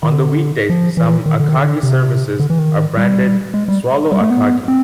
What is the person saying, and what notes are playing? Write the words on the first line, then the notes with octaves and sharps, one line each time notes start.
On the weekdays some "Akagi" services are branded "Swallow Akagi".
D#3
D3
F3
E3
D#3
D3
D#3
D3
C3
D3
E3
D#3
G3
G#3
G3
G3
A3
B3
C4